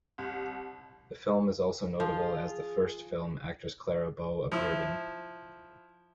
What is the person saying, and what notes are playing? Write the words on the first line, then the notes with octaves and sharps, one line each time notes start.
The film is also notable as the first film actress Clara Bow appeared in.
C2
F3 F4 G#4
F3 E4